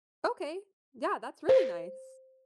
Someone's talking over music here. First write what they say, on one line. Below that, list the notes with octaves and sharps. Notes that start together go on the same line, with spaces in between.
Okay. Yeah, that's really nice.
C5